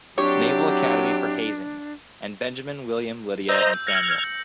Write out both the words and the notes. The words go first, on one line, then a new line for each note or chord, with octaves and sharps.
Naval Academy for hazing; and Benjamin, William, Lydia, and Samuel.
F#3 C4 D4 E4 G4 C#5
C5 D#5 A#5 E6 G6
F6 G#6 A#6 C#7 F#7